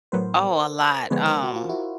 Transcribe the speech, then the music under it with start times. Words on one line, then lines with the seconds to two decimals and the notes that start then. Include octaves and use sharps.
Oh, a lot. Um,
0.12 A2 F#3 B3 A#4 C5
1.10 D3 F3 G#3 B3 B4 C#5
1.26 A#4 C5
1.43 F#4
1.56 F4
1.69 E4 F#4